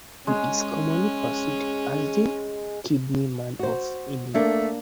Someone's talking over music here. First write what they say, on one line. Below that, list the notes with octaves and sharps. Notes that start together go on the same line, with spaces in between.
He is commonly perceived as the "Kidney Man of India".
G#3 C#4
F#4 C5
A3 A#3 D4